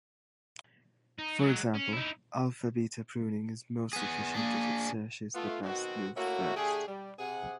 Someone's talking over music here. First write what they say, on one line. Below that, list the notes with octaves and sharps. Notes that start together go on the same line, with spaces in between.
For example, alpha-beta pruning is most efficient if it searches the best moves first.
D#4
F#3 G#3
C#4
D#4 E4
B3 G#4
A#3 D4 G#4
A3 B3 F4
B2 D#3 C4 F#4
A3 A#3 C#4 E4 F#4
D3 A3 G4 G#4
G3
C3 G#4 F#5